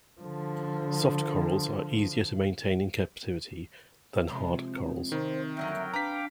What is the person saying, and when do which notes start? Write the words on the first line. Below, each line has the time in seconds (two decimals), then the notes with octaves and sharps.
Soft corals are easier to maintain in captivity than hard corals.
0.21 D3 F3
4.28 C3 F3 G#3
5.12 C3 D#3 C5
5.57 F2 D3 F#3 A#4 D#5 E5 G5
5.94 D4 B4 F5 G5 A#5 D6 B6